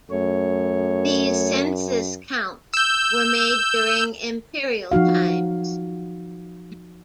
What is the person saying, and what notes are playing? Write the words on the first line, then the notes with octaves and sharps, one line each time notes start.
These census counts were made during imperial times.
F#2 A3 C#5
E6 G6
F3 D#4 F#4 F5